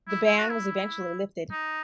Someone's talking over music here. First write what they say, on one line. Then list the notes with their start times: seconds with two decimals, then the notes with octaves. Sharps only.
The ban was eventually lifted.
0.08 E4
0.26 E4
0.38 F#4
0.50 E4
1.51 D#4